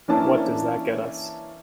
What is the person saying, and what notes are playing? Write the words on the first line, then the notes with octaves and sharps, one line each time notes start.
What does that get us?
E3 A#3 C#4 D4 E4 A5